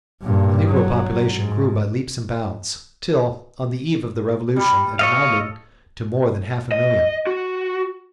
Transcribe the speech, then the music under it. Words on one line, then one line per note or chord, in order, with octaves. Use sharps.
The negro population grew by leaps and bounds, until on the eve of the Revolution it amounted to more than half a million.
G2 A#2
F#3
G#2
G3
A4 C#5 D#5 F5
D#5
F#4